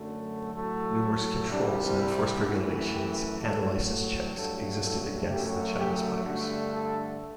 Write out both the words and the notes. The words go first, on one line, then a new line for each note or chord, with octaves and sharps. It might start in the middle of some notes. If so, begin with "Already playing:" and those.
Numerous controls and enforced regulations and licence checks existed against the Chinese miners.
Already playing: F#2 D3 F#3 A3
A2 F#3 A3
C2 C3 G3 D4
E4
F#2 E3 A3 F#4
G4
A2 F#3 A3 A4
G2 F#3 A3 A4
A4
F#2 F#3 A3 G4
G4
G2 D3 A3 F#4
A4